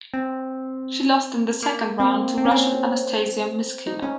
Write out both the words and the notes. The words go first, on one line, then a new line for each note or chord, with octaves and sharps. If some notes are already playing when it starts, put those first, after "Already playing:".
She lost in the second round to Russian Anastasia Myskina.
C4
A#3
C4
C4
C#4
C4
D#4
C#4